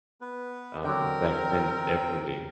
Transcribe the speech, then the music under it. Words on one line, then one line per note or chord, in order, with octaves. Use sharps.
Um, back then, definitely.
B3 B4
D3 F#3 C4 A#4 G5